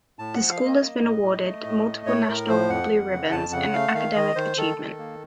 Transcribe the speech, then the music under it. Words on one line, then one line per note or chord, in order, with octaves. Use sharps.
The school has been awarded multiple national blue ribbons in academic achievement.
A2 A5
F3 F#5
F5
A#3 D#5
A#3
A2
A2
A3
A2
A3
A2 C#5
A2 A#4
F3 C5
F2 F#5
F2
C#3
F2 A5
C#3 F#5
A3 F5
F#5
D#3 F5
D#3 D#5
D#3 C5
D#3 A4
D#3
A#3